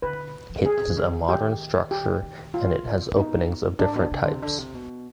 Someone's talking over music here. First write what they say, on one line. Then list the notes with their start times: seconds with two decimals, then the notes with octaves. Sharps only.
It is a modern structure and it has openings of different types.
0.02 D3 B4
0.50 F3
0.66 B2 G#4
0.77 C3
0.87 D3
0.97 D#3
1.29 G4
1.91 G4
2.23 D#3
2.54 F4
2.85 D3
3.01 C3
3.17 B2 D#4
3.79 G#2 D4
3.96 B2
4.11 C3
4.22 D3
4.32 C3
4.42 D3
4.58 C3
4.74 B2